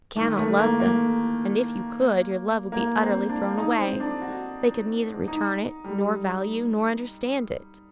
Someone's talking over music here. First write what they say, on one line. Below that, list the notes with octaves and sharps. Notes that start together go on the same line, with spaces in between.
You cannot love them; and if you could, your love would be utterly thrown away: they could neither return it, nor value, nor understand it.
D#3
A3
A#3
A#3
A#3
C4
D4
D#4
C4
D4
F#4
D#4
G3